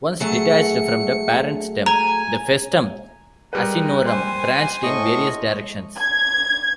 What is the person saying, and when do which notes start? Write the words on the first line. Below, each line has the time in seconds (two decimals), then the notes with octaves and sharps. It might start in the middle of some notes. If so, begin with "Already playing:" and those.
Once detached from the parent stem, the "Festum Asinorum" branched in various directions.
0.20 F#3 A3 G#4 C#7
1.86 G#5 A#5
3.53 G3 G#3 A#4 B4
4.06 C5 G#5
4.83 A2 D#5 C#6
5.99 G#6